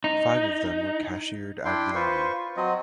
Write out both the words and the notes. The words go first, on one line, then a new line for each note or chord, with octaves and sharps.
Five of them were cashiered out of the army.
D#4
D4 E4 G5 C6
F4 B4 C5 C#6
F#3 C4 D#5